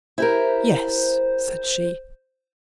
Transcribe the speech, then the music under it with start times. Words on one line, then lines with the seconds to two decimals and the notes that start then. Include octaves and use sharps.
"Yes," said she.
0.18 E4 G4 A#4 C5